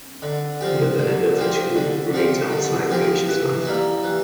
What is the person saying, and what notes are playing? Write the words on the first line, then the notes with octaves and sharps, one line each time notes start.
The other end of the tube remains outside the patient's mouth.
D3
F3 C4 G4
D3
F3 C4 G4
D3
F3 C4 G4
D3
F3 C4 G4
E3
G3 A#3 E4
E3